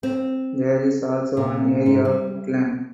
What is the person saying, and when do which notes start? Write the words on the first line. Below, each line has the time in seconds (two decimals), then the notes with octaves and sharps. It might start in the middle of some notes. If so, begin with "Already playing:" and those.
There is also an area of woodland.
0.03 C4
1.37 A#2
1.86 G#2
2.05 G3